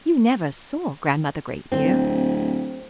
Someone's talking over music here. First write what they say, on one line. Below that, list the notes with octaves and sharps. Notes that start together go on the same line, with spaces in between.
"You never saw Grandmother Great, dear."
D1 C4